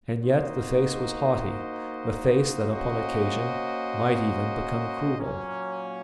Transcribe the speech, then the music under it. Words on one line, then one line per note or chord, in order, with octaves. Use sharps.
And yet the face was haughty, a face that upon occasion might even become cruel.
A#3 D#4 F#4 C5 D#5
A#3 C#4 F#4 C5 D#5
A#2 F#3 A#3 C#4